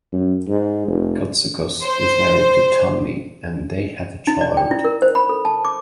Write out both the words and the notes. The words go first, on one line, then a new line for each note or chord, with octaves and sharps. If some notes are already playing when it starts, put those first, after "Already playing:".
Cotsakos is married to Tami and they have a child.
F#2
G#2
F1
C5
D#4
D5
G5
E4
A#4
C5
B5
A4
A5
D6